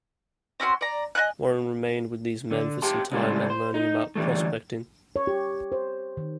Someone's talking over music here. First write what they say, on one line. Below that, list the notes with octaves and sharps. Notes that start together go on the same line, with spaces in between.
Warren remained with these men for some time and learning about prospecting.
C4 C#4 F#4 C6
D5 A#5
D#5 E5 G#5 F#6
D3
G4 F5 G5 A5 C6
C#3 G3 G#3 E4 A4 C5
C5
D#4
D3 E3 G3 A3
C#5
G4
C5
D#3